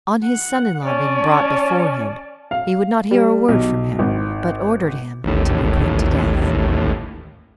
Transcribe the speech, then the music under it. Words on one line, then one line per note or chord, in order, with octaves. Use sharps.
On his son-in-law being brought before him, he would not hear a word from him, but ordered him to be put to death.
F#5
C#4 D5 A5
F5
G3
B1
G#1
A1 D#2 A2